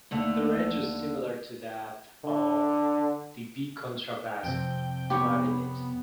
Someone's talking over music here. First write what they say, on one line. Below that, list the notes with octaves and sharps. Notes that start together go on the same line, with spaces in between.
The range is similar to that of the B contrabass clarinet.
D#2 D3 A3
D3
F2 A2 C3 G5
B3 G4 C#5